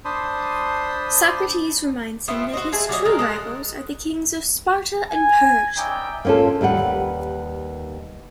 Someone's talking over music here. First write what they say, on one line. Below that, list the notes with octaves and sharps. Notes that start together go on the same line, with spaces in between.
Socrates reminds him that his true rivals are the kings of Sparta and Persia.
D4 C5 A5 B5 C6 D#6
A3 B3 C4 F4
F#4 C5 D#5
A3 G#4 A5
G3 F#4 C#5 D#5
G#3 A#4 D5
G#3 A4 A#4 F#5
G#5
B3 C#4 D#4 D5 E5 G5
A#3 B3 C#4 F4 A4
D#2 G3 B4 F#5